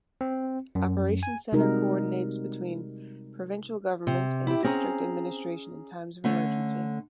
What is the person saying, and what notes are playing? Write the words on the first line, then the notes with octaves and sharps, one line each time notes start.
Operation Center coordinates between provincial government and District administration in times of emergency.
C4
F#2
G#5
C3 G3 G#3 D#4 F#4 A#4
C3
E4 G4
C4 C#4 G#4 A#5
D3 A3 C#4